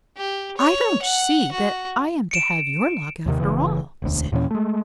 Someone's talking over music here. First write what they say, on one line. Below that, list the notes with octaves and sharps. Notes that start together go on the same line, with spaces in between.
"I don't see that I am to have your luck after all," said he.
G4
C#5
F#5
F#4
C#7 D7 E7
D#2 C3 D#3
F#1 D2 C#3 E3
E1 D2
D#2 A#2 E3 C#4
G#3 A3